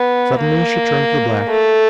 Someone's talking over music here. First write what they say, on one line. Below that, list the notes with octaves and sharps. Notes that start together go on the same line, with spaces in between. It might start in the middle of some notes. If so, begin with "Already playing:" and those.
Suddenly she turned to the black.
Already playing: B3
A#3
A3